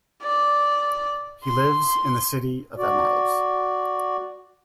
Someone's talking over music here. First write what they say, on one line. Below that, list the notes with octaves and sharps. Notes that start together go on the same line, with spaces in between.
He lives in the City of Emeralds.
D5
C6
F#4 D5